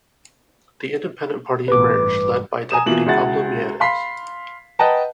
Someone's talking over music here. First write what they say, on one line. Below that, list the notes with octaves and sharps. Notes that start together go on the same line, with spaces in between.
The Independent Party emerged, led by Deputy Pablo Mieres.
A1 B2 B4 D6
G2
G#5 A#5 D#6 E7
B2 E3 A#3 F4 F#7
C#2 C#3 E4 F#4 F#5 A6
F5 B5 C6 B6 C7
B4 D#5 F#5 G5 A5 A#5